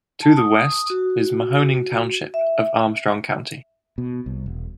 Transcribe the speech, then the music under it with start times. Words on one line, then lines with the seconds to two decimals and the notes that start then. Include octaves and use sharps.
To the west is Mahoning Township of Armstrong County.
0.22 A5
0.37 D#6
0.90 F#4
2.34 E5
3.98 B2
4.26 C2
4.46 E1